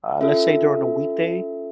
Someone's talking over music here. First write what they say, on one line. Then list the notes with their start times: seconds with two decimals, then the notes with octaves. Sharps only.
uh, let's say during a weekday,
0.21 C#4 F4 A4 E5